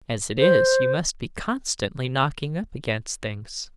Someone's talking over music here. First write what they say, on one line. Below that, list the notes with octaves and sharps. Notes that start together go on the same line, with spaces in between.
As it is, you must be constantly knocking up against things.'
C5